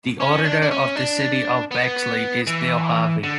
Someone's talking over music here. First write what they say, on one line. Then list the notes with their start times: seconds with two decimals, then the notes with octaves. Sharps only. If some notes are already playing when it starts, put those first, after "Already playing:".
The Auditor of the City of Bexley is Bill Harvey.
0.20 C#4
0.45 D4
0.62 D4
0.71 C#4
0.96 D4
1.71 B3
2.47 E3
3.23 D3